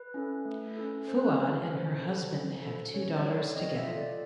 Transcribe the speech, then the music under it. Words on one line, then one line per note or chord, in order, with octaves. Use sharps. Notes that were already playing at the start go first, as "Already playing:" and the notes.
Fouad and her husband have two daughters together.
Already playing: B4
C#4 E4 A4
A3
C#4 E4 A4
C#4 C5
B4
A#4
E4 A4 B4
C#4 C5
E4 A4
C#4
E4 A4
C#4 C#5
D5
E4 A4 C#5
C4 D#5
E5
F4 A4
D5